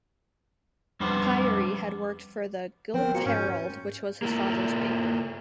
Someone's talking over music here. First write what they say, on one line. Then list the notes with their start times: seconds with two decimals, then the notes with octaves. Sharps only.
Pirie had worked for the "Guelph Herald" which was his father's paper.
1.00 F2 G3 B3 D4 C5
2.94 F3 B3 C4 A#4
3.14 A#2 F#4 C#7
3.26 G#2 C#4 G6
4.22 A#3 E4 F4